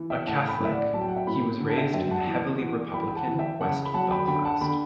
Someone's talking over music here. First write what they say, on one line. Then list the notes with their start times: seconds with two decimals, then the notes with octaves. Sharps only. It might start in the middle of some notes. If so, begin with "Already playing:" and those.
A Catholic, he was raised in heavily republican West Belfast.
Already playing: E3
0.10 E5 G5
0.26 A2 F#5 A5
0.49 G5 B5
0.60 A2 E5
0.71 D5 F#5
0.94 F#3 A5
1.01 G5
1.09 F#5
1.16 E5 G5
1.27 A2 G5 B5
1.60 D3
1.70 A5
1.77 E5 G5
1.94 F#2 E5 G5
2.11 F#5 A5
2.27 E3
2.61 E3
2.94 E3 G5 B5
3.08 G5
3.16 F#5 A5
3.27 E3
3.39 E5 G5
3.61 C#3 F#5 A5
3.85 B5
3.94 F#3 F#5 A5
4.10 G5 B5
4.27 D3 G5 B5
4.45 F#5 A5
4.61 D3 G5 B5